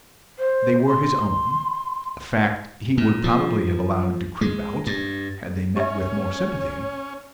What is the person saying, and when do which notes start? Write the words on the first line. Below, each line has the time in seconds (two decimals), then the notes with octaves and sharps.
They were his own, a fact he would probably have allowed to creep out, had they met with more sympathy.
0.39 C5
0.87 C6
2.98 A#2
3.24 F3
4.41 G#3
4.87 G2
5.76 C#4 G4 C#5 E5